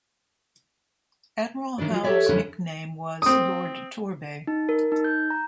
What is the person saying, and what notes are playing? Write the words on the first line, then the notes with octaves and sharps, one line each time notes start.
Admiral Howe's nickname was "Lord Torbay".
D#3 D4 B4 D5
F#3 F4
G4 A4 B4 C#5 D5 E5
F2 D3 C#4 E4 F#5
C4 D#6
D#4
A#4
D#4
G6
A#5